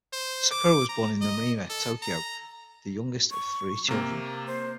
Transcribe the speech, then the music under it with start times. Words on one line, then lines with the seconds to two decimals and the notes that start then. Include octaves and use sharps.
Sakura was born in Nerima, Tokyo, the youngest of three children.
0.13 C5
0.51 D6
0.89 A#5
1.22 D#5
1.70 A4
2.02 A#5
3.31 C#6
3.88 C3 A#3 A#5
4.47 C5